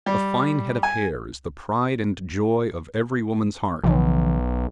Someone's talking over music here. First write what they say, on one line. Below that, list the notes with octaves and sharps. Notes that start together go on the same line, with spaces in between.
A fine head of hair is the pride and joy of every woman's heart.
G3
G#5
B1 C#3 E3 F3